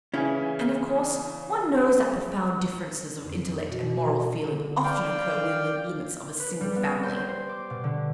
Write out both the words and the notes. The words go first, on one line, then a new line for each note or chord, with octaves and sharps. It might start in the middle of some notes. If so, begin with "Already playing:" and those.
And, of course, one knows that profound differences of intellect and moral feeling often occur within the limits of a single family.'
C#3 E3 C#4 E4 G#5
F2
B2
D3
D5 F5 G5
B4
G3
B3
G5
C5
C5
D6
B2
D3